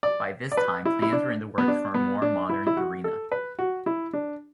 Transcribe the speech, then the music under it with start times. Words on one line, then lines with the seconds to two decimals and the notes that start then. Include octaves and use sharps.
By this time, plans were in the works for a more modern arena.
0.03 D5
0.52 D5
0.57 B4
0.85 E4
1.02 E4
1.12 D4
1.58 B3
1.68 D4
1.94 B3
2.22 D4
2.49 E4
2.67 E4
2.77 F#4
3.04 A4
3.32 B4
3.59 F#4
3.86 E4
4.13 D4